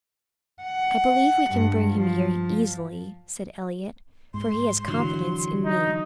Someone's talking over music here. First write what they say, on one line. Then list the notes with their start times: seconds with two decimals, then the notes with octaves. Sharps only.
"I believe we can bring him here easily," said Elliott, "for he has confidence in me."
0.63 F#5
1.50 G2
1.91 F3
4.34 G#2 C6
4.88 D3 E3 F#3
5.65 D#4